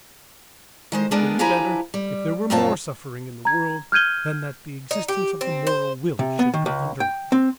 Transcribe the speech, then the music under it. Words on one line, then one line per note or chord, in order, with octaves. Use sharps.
It would be better if there were more suffering in the world than that the existence of the moral will should be undermined.
D#3 G#3 C5
G#3 B3 D4 G#4 A#4 D5
F3 E4 G4 B4 G#5 A#5
G3
F#2 A#2 C4 F4 C#5 A5
A#5 G#6
F6 G6 G#6 D#7 G7
D#4
G4
C4
C5
C3
B3
D#3
C#2
G5
C4